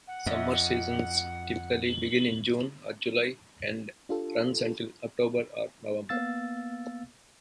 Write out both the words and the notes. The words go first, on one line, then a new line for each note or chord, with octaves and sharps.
Summer seasons typically begin in June or July and runs until October or November.
F#5
F2 C#5 D#5 E5
D4 F4 G4 A4
A#3 B3 F5 E6 A6